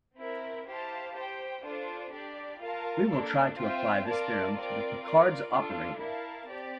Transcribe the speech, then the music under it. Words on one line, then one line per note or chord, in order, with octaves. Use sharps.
We will try to apply this theorem to the Picard's operator.
C4 E4 A#4
E4 G4 C5 F5 A5
G4 C5 G5
D4 F4 A4 C5
D4 G4 D5
F4 A#4 F5 A5
A#3 D4 A4
C4 F4 C5 E5 G5
F4 A#4 D5 A5
C4 F4 A#4 D5
F4 A#4 D5
D4 F4 A4
E4 A#4 F5 A5
C4 G4 D5